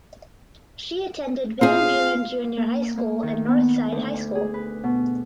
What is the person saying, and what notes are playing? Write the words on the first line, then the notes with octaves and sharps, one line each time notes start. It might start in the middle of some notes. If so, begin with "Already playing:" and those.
She attended Van Buren Junior High School and Northside High School.
C4 F4 G#4 F5
A#3
A#3
D#3
B3
D2
G#4
B4
B2